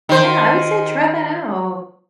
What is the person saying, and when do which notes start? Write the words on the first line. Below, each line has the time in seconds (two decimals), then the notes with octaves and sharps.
Yeah, I would say try that out.
0.09 D#3 C5